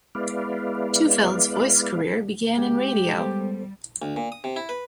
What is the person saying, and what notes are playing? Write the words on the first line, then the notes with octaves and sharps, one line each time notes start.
Tufeld's voice career began in radio.
G#3 B3 E4 B4 D5 F5
G#3 G4
G3 B3 A4 C5
D2
A#2
D#6
C3
E4
B4